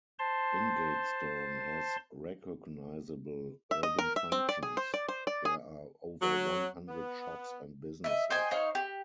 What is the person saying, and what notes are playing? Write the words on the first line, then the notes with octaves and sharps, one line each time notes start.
Ingatestone has recognisable urban functions; there are over one hundred shops and businesses.
C5 A5 C6
E5
D#5
A#4
E5
C4
D5
G#4
C5
D5
C5
D5
G#4
F#3
B3
D#5 E5
C5 D#5 G5 G#5
D#4 C5 C#5 F5
G4